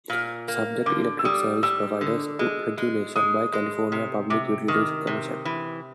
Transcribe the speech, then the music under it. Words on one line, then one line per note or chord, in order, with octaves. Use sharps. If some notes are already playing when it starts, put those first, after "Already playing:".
Subjects electric service providers to regulation by California Public Utilities Commission.
A#2
A#3
D3 D6
E6
G3 D#6
G3 E6
D3
G#3
G#3
G#3 D#6
G#3
C3
C3 D6
D#3 D#6
C3
E3